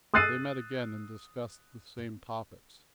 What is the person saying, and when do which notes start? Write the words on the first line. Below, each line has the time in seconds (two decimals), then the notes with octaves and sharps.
They met again and discussed the same topics.
0.14 D#6 E6 F#6 A6 C7 D#7